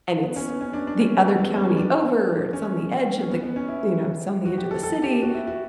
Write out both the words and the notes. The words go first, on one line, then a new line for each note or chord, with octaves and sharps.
and it's the other county over. It's on the edge of the you know, it's on the edge of the city."
B3
C#4
B3
C#4
D4
D4
C#4
B3
B3
C#4
D4
C#4
C#4
B3
B3
C#4
E4
F#4
G4
A4
A4
G4
F#4
E4
F#4